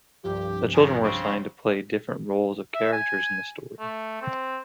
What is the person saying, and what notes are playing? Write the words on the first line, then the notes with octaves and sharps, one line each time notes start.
The children were assigned to play different roles of characters in the story.
C2 G2 F3 G4
B2 D#3 G#5
C#3 C4 C#6
E5
G#5
A3
C4